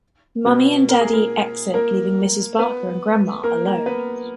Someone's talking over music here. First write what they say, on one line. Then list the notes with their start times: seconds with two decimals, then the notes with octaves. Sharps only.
Mommy and Daddy exit, leaving Mrs. Barker and Grandma alone.
0.45 B2 B3
0.89 A#4
1.01 G#4
1.13 A#3 A#4
1.74 A#3 A#4
2.59 B3 B4
3.44 A#3 A#4
3.65 A#3 A#4
3.86 B3 B4